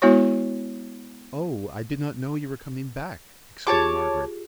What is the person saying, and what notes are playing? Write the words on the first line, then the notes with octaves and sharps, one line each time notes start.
"Oh, I did not know you were coming back!" exclaimed Margaret.
G#3 B3 E4 F#4 C#5 C#6
F4 G4 G#4 C#5 A5 D6